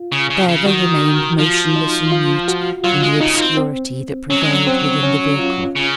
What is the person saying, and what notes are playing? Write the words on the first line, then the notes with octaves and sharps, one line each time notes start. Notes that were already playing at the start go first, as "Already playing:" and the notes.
There they remained motionless and mute in the obscurity that prevailed within the vehicle.
Already playing: F4
C#3
C#3
C#3
D#3 F#4
F3 F4
D#4
F4
F#4
F#3 F4
G#3
C#3 D#4
A#3
C4
C4
F#3 C#4
G#3
F#3
C4
C#4
F4
C#3